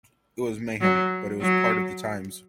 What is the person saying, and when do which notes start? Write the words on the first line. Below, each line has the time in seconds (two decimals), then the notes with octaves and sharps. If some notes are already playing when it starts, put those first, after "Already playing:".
It was mayhem, but it was part of the times.
0.81 F#3
1.41 F#3